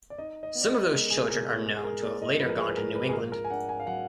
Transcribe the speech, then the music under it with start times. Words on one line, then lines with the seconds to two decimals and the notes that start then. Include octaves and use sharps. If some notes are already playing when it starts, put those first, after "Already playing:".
Some of those children are known to have later gone to New England.
0.10 D5
0.18 D#4 D#5
0.43 D#5
0.55 B3
0.61 D5
0.67 D#5
0.92 G#3 A#4
1.10 G#4
1.29 B2 A#4
1.47 A#4
1.65 G#2 G#4
1.76 G#4
1.84 A#4
2.03 A#3 D5
2.22 D#5
2.40 F3 B4
2.50 A#4
2.58 G#4
2.68 B4
2.76 G#2 A#4
2.95 B4
3.09 G#4
3.13 F4 A#4
3.32 A#4
3.44 G#5
3.50 D4 F#5
3.69 G#5
3.80 F5
3.87 F#3 F#5